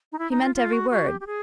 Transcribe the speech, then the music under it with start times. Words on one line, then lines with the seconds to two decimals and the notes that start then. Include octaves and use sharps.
He meant every word.
0.12 D#4
0.19 E4
0.31 D#4
0.43 F4
0.55 F4
0.73 F#4
0.90 F#4
1.08 G4
1.21 G4
1.27 G#4